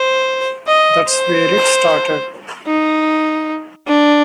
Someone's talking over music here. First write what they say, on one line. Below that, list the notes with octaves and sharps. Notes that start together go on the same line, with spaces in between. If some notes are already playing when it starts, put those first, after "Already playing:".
That's where it started.
Already playing: C5
D#5
C5
D#4
D4